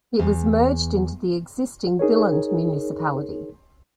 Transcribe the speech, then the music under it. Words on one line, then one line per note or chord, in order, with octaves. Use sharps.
It was merged into the existing Billund municipality.
E2
D#4 G#4 A#4 C#5